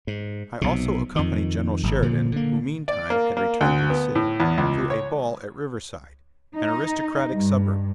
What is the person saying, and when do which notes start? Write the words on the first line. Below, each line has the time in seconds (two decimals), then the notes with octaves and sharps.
I also accompanied General Sheridan--who meantime had returned to the city--to a ball at Riverside--an aristocratic suburb.
0.07 G#2
0.61 B1 C3
1.16 F2 D#3
1.83 D#1 G#1
2.02 A#2 D3 F3
2.32 D3 A#3
2.88 D5
3.10 A#3
3.37 A#3
3.61 D2
3.90 B3
4.15 A2
4.40 E2
4.58 C#2
4.90 C#5
6.55 D#4
7.34 G2